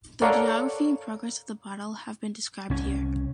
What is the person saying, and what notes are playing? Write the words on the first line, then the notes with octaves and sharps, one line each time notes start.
The geography and progress of the battle have been described here.
A4 A#4 C#5 D5 F5 F#5
C2 C#4